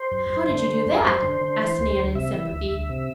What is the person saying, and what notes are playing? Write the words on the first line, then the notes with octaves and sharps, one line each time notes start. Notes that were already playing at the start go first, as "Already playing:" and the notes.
"How did you do that?" asked Nan, in sympathy.
Already playing: C5
F#2
F#2
D3
D3
F#2
F#2 C5
D3
D3
E3
D2
D2
C3 E5
E3
D2
D2
C3